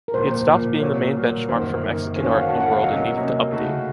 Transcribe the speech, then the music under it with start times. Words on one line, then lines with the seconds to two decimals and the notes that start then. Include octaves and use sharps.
He had stopped being the main benchmark for Mexican art in the world and needed to update.
0.08 A#4
0.14 A#2 F3 A#3 C5
0.48 A#2 F3 A#3
0.81 A#2 F#3 A#3 C#5
1.16 A#2 F#3 A#3
1.49 F#2 D#3 A#3 C5
1.82 F#2 D#3 A#3
2.16 D#3 A#3 C#4 F#4 C5
2.24 C#5
2.32 F5
2.41 F#5
2.49 D#3 A#3 C#4 F#4 A5
2.60 F#5
2.72 F5
2.83 C3 F#3 A#3 C#4 D#5
2.94 F#5
3.17 C3 F#3 A#3 C#4 D#5
3.51 C#3 A3 D#4 F#4